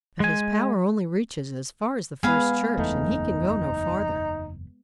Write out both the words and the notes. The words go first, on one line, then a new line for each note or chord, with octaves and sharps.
But his power only reaches as far as the first church, and he can go no farther.
G#3 G#5
G#3 B3 G#4 F5 B5
F#1 E2 A3 D#4